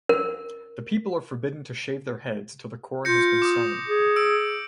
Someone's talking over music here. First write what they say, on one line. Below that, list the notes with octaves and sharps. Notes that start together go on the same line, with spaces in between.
The people are forbidden to shave their heads till the corn has been sown.
A#4
F4 G6 A#6 C#7
D6 D#6
G#4
E6 D7